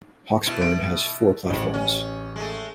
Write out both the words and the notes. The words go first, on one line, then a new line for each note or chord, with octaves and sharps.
Hawksburn has four platforms.
B2 E4
D7
A1 G#2
C#4
G#3 A3